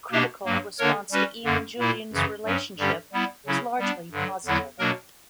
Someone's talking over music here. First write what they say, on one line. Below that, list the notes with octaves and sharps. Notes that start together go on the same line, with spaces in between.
Critical response to Eve and Julian's relationship was largely positive.
B2 A#3 D4 G4
G2 F#3 A#3
D3 A#3 D4 A#4 C#5
G3 C#4 F#4 B4
F#2 D3 A#3
A#2 A#3 E4
F#2 C#3 E3
G2 F#3 C#4
G2 D3 G3 C#4 G4
G3 B3 E4
C#3 F#3 C#4 E4
G3 B3 D4
G2 D3 F#3
E2 D3 F#3 B3 E4
B2 F#3 A#3 D4 A#4